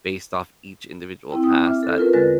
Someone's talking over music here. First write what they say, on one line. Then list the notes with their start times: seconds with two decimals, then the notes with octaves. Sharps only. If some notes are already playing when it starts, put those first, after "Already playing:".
based off each individual task that
1.30 C4 E4 G5
1.43 G5 D#6 E6
1.64 E5 D6 F6
1.83 A4
1.97 C#4 F4 A#4 B4
2.13 E2 D3 G#3 B4 A6 A#6